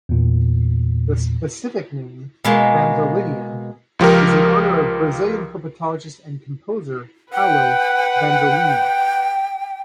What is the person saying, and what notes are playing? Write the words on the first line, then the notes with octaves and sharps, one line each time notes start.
The specific name, "vanzolinia", is in honor of Brazilian herpetologist and composer Paulo Vanzolini.
E2 A#2
B2 G#3 A#3
C#2 F3 G4 A#4
B4 F#5 G5